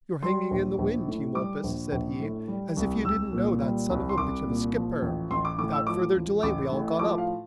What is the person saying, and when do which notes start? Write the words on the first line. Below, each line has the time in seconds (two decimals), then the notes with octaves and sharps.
"You're hanging in the wind, Eumolpus," said he, "as if you didn't know that son-of-a-bitch of a skipper!" Without further delay we all got up.
0.23 G3 C6
0.51 A#1
0.79 A#1
1.07 A2
1.35 G3 D6
1.63 A#1
1.92 A#1
2.20 A2
2.48 G3
2.77 C2
3.05 C2 E6
3.33 A#2
3.61 G3
3.90 C2
4.09 C6
4.17 C2 D6
4.46 A#2
4.74 F3
5.02 A1
5.31 A1 C6
5.45 D6
5.58 A2 D6
5.73 E6
5.87 F3 D6
6.15 A1
6.43 A1 D6
6.72 A2
6.99 F3 D6
7.18 F5